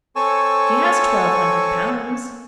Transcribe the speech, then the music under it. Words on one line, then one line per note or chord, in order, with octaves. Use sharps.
"She has twelve hundred pounds."
C4 A4 C#5 G#5 C#6 E6